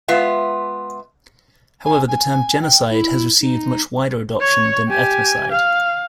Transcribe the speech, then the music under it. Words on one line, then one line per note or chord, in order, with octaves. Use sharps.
However, the term genocide has received much wider adoption than ethnocide.
G#3 B3 F4 E5
G#5
G#5
G5
E4
D#4
C#5
G4 G#5
F5